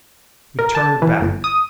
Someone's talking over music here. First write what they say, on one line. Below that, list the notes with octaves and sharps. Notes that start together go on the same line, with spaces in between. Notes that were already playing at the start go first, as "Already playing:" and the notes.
We turned back.
A#4
A5
E3
G1
D#6